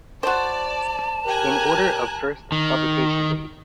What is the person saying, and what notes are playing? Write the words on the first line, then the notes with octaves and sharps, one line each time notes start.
In order of first publication date.
F#4 C5 D5 A5
G4 A#4 G#5 A#5 F#6
D#3